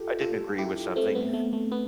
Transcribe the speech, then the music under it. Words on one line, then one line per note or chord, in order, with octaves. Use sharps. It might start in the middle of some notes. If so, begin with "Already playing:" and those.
I didn't agree with something
Already playing: F4 G4 A4
F4 A4
E4 G4
A3 C4
B3
A3
A3
B3